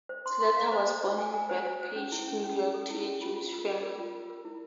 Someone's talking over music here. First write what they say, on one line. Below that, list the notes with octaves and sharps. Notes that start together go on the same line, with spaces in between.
Slater was born in Bethpage, New York to a Jewish family.
C5
C6
C6
F5
C5
C5
C5
G#5
G#5
C5
C5
C5
C#4
E4
C#4
C#4
C#4
A4
E4
C#4
F4
F4
F4
D5
A#4
F4
F4
A#4
E4